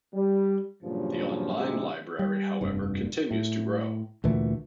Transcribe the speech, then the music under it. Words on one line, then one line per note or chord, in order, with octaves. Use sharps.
The online library, however, continues to grow.
G3
G2 A#2 C#3 F3 F#3
A1 D2 G2 C3 G#3
G3
F1 G2
A2
D2 A#2 E3 A3